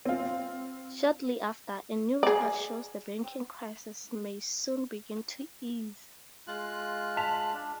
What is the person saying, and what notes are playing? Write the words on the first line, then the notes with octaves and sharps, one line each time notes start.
Shortly after, a new report shows the banking crisis may soon begin to ease.
C4 F4
G#4 D5
G#3 F4 F#6
A5 B6 F7
D4